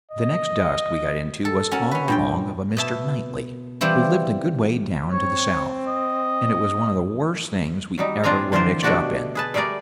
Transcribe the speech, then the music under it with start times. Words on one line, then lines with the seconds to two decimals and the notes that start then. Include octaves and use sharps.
The next dust we got into was all along of a Mr. Knightley, who lived a good way down to the south, and it was one of the worst things we ever were mixed up in.
0.12 D#5
1.45 A4
1.71 C#4 F#4 A4 A#4
1.91 C#4 B4
2.08 G2 A#2 G5
2.77 B2 E5 A5
3.81 E3 G3 C4 E4 F4
5.12 C4 C#5
5.87 D#5
7.98 F#3 G3 D#4
8.24 A2 C4 D4 F4 G#5 A#5
8.52 D3 E3 F4 A#4 C5 D5
8.83 B2 A3 D4 F#4 G4 D5
9.35 G#4 B4 A5
9.54 G3 A3 G#4 A#4 D5